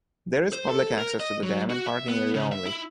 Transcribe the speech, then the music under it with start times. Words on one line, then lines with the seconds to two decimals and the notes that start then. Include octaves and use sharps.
There is public access to the dam and parking area only.
0.53 C5
0.69 A4
0.98 A#4
1.20 D#5
1.43 F#3
1.70 F#4
1.86 E5
2.09 B3
2.34 C#3
2.52 E5
2.66 E4